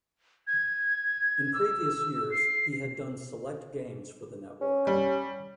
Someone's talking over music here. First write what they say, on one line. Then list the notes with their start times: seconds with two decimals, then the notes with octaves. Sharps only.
In previous years, he had done select games for the network.
0.47 G#6
1.54 E6
2.31 C7
4.62 C#4
4.87 G3